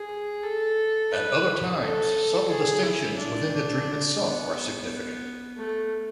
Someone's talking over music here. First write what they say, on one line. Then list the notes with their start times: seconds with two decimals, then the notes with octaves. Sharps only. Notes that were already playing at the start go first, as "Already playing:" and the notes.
At other times, subtle distinctions within the dream itself are significant.
Already playing: G#4
0.43 A4
1.12 B4
1.81 A4
2.49 G#4
2.83 E4
3.18 D4
4.21 B3
5.58 A3